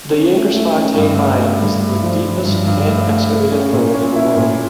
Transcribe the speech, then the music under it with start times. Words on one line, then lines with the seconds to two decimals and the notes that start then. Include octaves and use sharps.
The Jagersfontein Mine is the deepest hand-excavated hole in the world.
0.12 C#4
0.33 A3
0.54 A3
0.75 C#4
0.97 G2
1.17 A3
1.39 A3
1.61 G2
1.82 A3
2.03 F3
2.24 F3
2.45 G2
2.67 G2
2.88 A3
3.09 A3
3.30 A3
3.52 C#4
3.73 A#2
3.94 C#4
4.16 E4
4.37 A#2